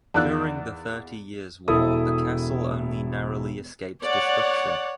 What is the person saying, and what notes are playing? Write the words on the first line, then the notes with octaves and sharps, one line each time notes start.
During the Thirty Years' War the castle only narrowly escaped destruction.
E2 D#3 F4 D5 E6 F#6
E1 E4 A4 D#6
C#5 D5 F#5